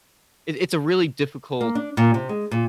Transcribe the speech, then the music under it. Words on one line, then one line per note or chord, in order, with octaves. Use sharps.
it it's a really difficult
A#3
D4
A#2
C3
G#3
A#2